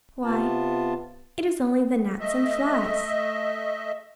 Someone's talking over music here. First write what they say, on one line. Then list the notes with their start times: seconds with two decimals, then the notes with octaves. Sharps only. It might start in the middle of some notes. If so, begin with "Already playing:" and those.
Why, it is only the gnats and flies.
0.25 C3 B3 F4 A5
2.20 A3 D#5 E5